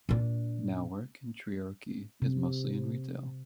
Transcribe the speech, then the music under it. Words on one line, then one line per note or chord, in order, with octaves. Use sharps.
Now work in Treorchy is mostly in retail.
A#2 D4
C3